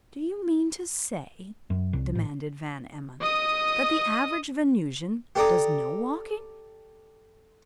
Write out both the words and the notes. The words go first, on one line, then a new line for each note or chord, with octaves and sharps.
"Do you mean to say," demanded Van Emmon, "that the average Venusian does no walking?"
F#2
C2
A1
D#5 D#6
G4 A4 D5 A#5 D6 D#6